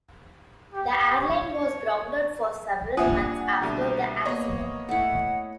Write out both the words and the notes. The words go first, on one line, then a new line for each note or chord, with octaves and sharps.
The airline was grounded for several months after the accident.
G4
C#5
G3 A#3 D4 F4 E5 F#5 G#5 D#6
C2 B2 D3
A#3 B3 C#5 D#5 C#6
A3 E4 F#5